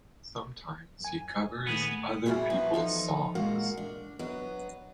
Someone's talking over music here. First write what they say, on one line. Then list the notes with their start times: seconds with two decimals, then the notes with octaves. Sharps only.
Sometimes he covers other people's songs.
1.00 F#2 G#5
1.67 A#2 D#3 A3 B3 G#4
2.26 A#2 G3 A#3 E4 F#4 G#4
2.50 F3 F#3 B3 E4
2.74 F3 D#4 A4
3.35 A#2 G#3 F#4 A#4 F5 F#5
3.77 D4
4.19 F#3 B3 D#5